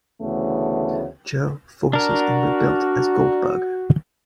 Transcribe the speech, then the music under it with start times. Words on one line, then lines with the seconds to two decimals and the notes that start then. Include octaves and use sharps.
Joe forces and rebuilt as Goldbug.
0.22 D2 C#3 E3 A3 B3
1.93 D4 F#4 A#4